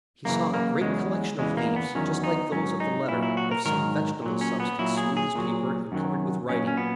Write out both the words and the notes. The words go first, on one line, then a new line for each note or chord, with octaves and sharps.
He saw a great collection of leaves, just like those of the letter, of some vegetable substance, smooth as paper, and covered with writing.
F#2 C#3 E3 A#3
A#3
E2 C#3 F#3 G#3
E2 C#3 E3 G#3
A#3
B3
E2 D#3 F#3 C#4
D#4
G#2 F#3 C#4
D#4
A#2 F#3 E4
E4
F#4
A#4
G#2 D#3 F#3 A#4
A#2 F#3
C#4
B3
A#2 F#3 E4
G#4
G#4
A#2 F#3
F#2 D#3 F#3
A#2 F#3 C#4
C#4
B3